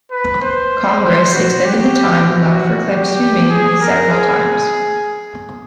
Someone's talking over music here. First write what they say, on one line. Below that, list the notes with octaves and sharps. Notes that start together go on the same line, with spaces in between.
Congress extended the time allowed for claims to be made several times.
B4
C5
C5
F#4
G4
F#4
G4
G#4
A#4
G#4